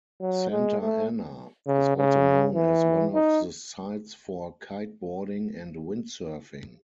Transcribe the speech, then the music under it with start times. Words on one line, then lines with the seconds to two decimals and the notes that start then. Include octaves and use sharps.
Santa Ana is also known as one of the sites for Kiteboarding and Windsurfing.
0.21 F#3
0.50 G#3
0.80 A3
1.67 C#3
1.97 C#3
2.55 E3
3.14 D#4